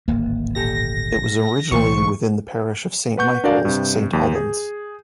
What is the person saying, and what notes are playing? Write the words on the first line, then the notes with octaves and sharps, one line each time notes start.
It was originally within the parish of Saint Michael's, Saint Albans.
D1 G#1 A#3
A#2 G4 A4 A#6
B1 D3 E3 A3 C5 C#6
B4 F#5 C#6 G6
D4 F#4 A#4 D5 F5
G2 C3
D#2
G#4